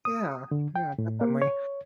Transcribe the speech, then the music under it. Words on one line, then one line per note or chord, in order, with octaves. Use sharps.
Yeah, yeah, definitely.
D#6
D3
G5
A2
A#3
C#5